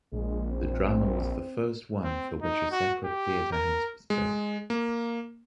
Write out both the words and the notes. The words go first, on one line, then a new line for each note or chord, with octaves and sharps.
The drama was the first one for which a separate theater house was built.
A#1 G#3
C4
C4
D#4
F#4
G4
A#4
G#3
A#3